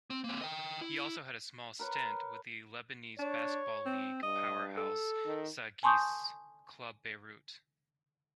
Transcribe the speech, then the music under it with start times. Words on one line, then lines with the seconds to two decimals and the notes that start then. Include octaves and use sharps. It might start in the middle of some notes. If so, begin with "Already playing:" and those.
He also had a small stint with Lebanese Basketball League powerhouse Sagesse Club Beirut.
0.10 C4
0.24 A#3 C4
0.41 D#5 G5
0.81 E4
1.79 A#4 B4 C#5
3.19 D4 C#5
3.86 C4
4.23 G2 D#5
4.77 A4
5.26 D#3
5.83 G#5 A5 C6 C#6 D#6 G6